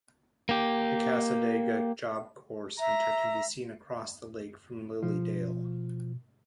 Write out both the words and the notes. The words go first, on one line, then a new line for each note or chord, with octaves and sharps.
The Cassadaga Job Corps Center can be seen across the lake from Lily Dale.
A#3 G4
E5 A#5
B2 F3